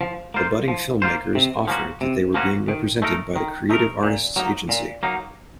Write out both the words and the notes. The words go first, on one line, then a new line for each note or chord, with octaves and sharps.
The budding filmmakers offered that they were being represented by the Creative Artists Agency.
F3
A#3 F4 C5
F3
A#3 F4 C5
C3
F3 A#3 C#4 F#4
C3
F3 A#3 C#4 F#4
D#3
A3 D#4 A#4
D#3
A3 D#4 A#4
A#2
F#3 A#3 D#4
A#2
F#3 A#3 D#4